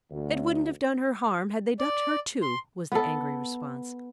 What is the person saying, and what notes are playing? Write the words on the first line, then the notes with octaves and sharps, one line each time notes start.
"It wouldn't have done her harm had they ducked her too," was the angry response.
D2
D5
C6
B3 A4